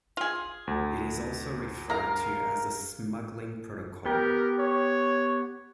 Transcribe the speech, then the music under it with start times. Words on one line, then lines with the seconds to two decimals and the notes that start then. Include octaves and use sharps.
It is also referred to as the Smuggling Protocol.
0.17 F4 G#4
0.67 D2
1.90 A#4 F5 A#5
4.06 B3 G4 A#4 G5
4.59 C#5